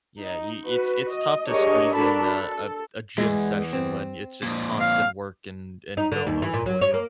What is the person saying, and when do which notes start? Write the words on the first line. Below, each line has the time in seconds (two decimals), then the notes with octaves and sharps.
yeah, you it's it's tough to squeeze in a a a gym session when it's just constant work and and go mode for you.
0.20 D#4
0.66 F#4 B4
1.13 D#5
1.47 D4 G4 G#4 A#4 C#5 D#5
1.96 D4 F#4 A4 A#4 A5 B5
2.31 A4
3.18 E2 G#3
3.73 C4
4.43 F2 A#2
4.80 F5
5.97 D#4
6.12 D3
6.27 D#2
6.42 E3
6.54 A#2
6.66 F#3
6.81 C#5
6.94 A#3